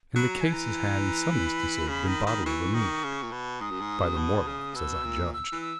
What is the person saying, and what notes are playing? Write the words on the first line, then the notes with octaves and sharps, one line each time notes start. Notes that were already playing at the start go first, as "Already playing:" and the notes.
And the cases had in some instances been bodily removed--by the Morlocks as I judged.
F#3 B5
A#5
E3 G#5
A#5
B5
C#3
D#3
D#3
E3 C#6
D#3
C#3
A#2
B2
G#2 D#6
F#2
G#2
F#2
B2
C#3
B2 E6
A#2
E6
E3
E6